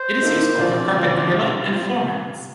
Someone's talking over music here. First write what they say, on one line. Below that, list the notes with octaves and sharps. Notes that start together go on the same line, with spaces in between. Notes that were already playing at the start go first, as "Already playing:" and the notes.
It is useful for carpet underlay and floor mats.
Already playing: C5
D#3 A#3 D#4 A4
D2 D3 F3 C4 F4 D5
D2 D3 F3 C4 F4
C2 C3 G3 C4 F4
C2 C3 G3 C4 F4